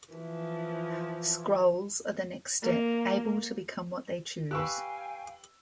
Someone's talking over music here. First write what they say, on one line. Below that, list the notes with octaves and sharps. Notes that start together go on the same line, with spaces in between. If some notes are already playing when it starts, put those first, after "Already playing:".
Skrulls are the next step, able to become what they choose.
E3 F3
A#3
G4 B4 F5 G5 G#5 C#6 E6 F#6